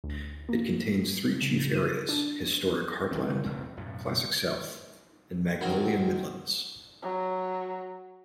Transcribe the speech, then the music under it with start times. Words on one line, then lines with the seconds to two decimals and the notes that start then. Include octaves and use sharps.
It contains three chief areas: Historic Heartland, Classic South, and Magnolia Midlands.
0.04 D2
0.49 A#3
1.42 C#3
1.74 D#7
2.09 D4
3.11 F#1 C2 D#3 C4
3.44 A1 E2 B2 C4
3.77 B1 F#2 A2
5.61 F#2 D#3 F#3 C4 D4
7.03 F#3